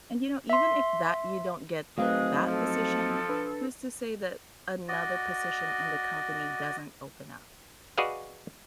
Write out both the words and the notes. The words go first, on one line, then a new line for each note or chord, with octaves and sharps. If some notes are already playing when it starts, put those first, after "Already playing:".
and you know, even if that you don't get that position, who's to say that another position in the company doesn't open up?
E5 C6
F#3 A3 C4 D#4 G#4 B4 F5
F3 A4
D4 B4
F#4 D5 D#5
F#4 G#4 B4 D5 D#5 F5